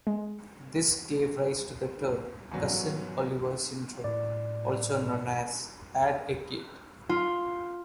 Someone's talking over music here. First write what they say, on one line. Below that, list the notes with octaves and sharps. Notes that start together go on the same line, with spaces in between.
This gave rise to the term "Cousin Oliver Syndrome", also known as "add-a-kid".
G#3
G#2 B2 E3 F#3 G3 C#4
A2 D5
F4